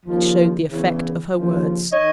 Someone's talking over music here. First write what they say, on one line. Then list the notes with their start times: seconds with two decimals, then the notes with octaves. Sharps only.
It showed the effect of her words.
0.03 D#2 C#3 F3
0.66 E2 C#3 E3
1.30 D#2 C#3 F3
1.92 D#3 C#5 D#5